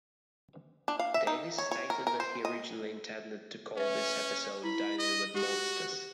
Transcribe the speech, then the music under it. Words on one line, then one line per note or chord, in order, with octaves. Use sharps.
Davies stated that he originally intended to call this episode "Dining with Monsters".
D4
F5
E5
D#4
C#5
C#5
A#4
A#4
C5
D#5
C#4 B4 E5
E4 B5
D#5
F#4 G4